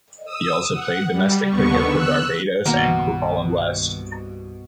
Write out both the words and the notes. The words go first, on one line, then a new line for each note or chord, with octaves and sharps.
He also played domestic cricket for Barbados and Griqualand West.
D#6 E6
F#5
G3
D#2 D3 B3 C#6
E6 F#6
C2 G2 B2 D#3 A#3 A#4 F#5